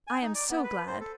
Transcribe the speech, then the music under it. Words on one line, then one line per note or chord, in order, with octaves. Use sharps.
I am so glad.
G#5
D#4
D5
B3
B4
C5
A4